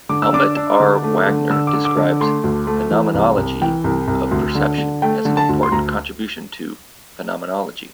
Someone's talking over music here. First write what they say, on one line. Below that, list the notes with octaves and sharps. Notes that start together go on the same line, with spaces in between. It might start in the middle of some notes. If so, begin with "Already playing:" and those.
Helmut R. Wagner describes "Phenomenology of Perception" as an important contribution to phenomenology.
D3 D6
E6
D4 D6
D4
D3
A3
D3
D3 E6
D6
D3
D6
D3
A3 C6
D2
A3
E3
C2
C2
E3 G5
C2
C2
D2
D3
D3
A3 G5
D3
A5
D2
C6
D2 A#5